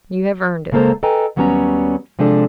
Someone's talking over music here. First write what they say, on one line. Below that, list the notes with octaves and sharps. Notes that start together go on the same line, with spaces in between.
You have earned it.
C#3 G#3 A#3 A4 C5 A#5
A4 B4 D#5 G5 G#5 A#5
D#2 F#3 G3 B3 C#4 A#5
C3 F3 G#3 D4 A4